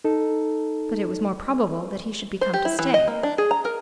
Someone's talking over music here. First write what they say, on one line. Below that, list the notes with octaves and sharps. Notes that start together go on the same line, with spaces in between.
But it was more probable that he should be come to stay.
D#4 A4
C5
G4
E4
E3
D#5
A#3
D4
G#4
A#5
A#4